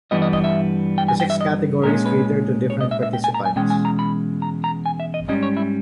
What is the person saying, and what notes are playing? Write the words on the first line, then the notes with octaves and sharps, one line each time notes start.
The six categories cater to different participants.
G2 E3 G3 B3 D#5
D#5
D#5
E5
G5
G#5
G5
E5
D#5
A#2 G#3 C#4 A#4
B4
C#5
D#5
E5
E5
G5
G#5
A#5
G#5
E2 B2 G#3 C#4 G5
G#5
A#5
B5
A#5
A#5
G#5
E5
D#5
G#2 G3 C#4 D#5
C#5
E4